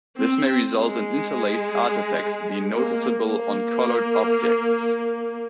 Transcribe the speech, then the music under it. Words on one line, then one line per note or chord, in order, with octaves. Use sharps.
This may result in interlaced artifacts being noticeable on colored objects.
C4
G#3
A#3
A#3